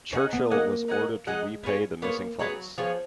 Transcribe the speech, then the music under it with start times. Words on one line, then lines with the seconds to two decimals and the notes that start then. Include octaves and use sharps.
Churchill was ordered to repay the missing funds.
0.13 C#4 D#4 G#4 D#5 F#5
0.33 B3
0.51 A#3 D#4 G#4 D#5 F#5
0.88 D#4 G#4 D#5 F#5
1.27 G#3 D#4 G#4 D#5 F#5
1.64 B3 F4 G#4 C#5
2.02 A#3 B3 F4 G#4 C#5
2.39 F#3 B3 F4 G#4 C#5
2.78 F3 B3 F4 G#4 C#5